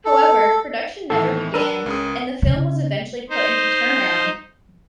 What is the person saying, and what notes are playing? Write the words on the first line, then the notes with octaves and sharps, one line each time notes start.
However, production never began and the film was eventually put into turnaround.
A4
A2 D#3 E3 A4
D4 A#4 B4 E6 D#7
C#2 C#3 D#6
C#3
D#4 C5